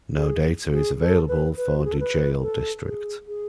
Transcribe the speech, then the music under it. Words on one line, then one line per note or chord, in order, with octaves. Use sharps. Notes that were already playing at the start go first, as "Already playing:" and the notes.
No data is available for Dujail District.
G#4
G#4
A4
B4
B4
F#4
G#4
A4
B4
A4
G#4
G#4